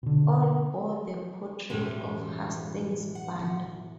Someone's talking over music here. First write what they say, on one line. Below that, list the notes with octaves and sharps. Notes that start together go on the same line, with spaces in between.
All bore the portrait of Hastings Banda.
B2 D3
E1 F#2 A2 G3 G#3 D#7
F#5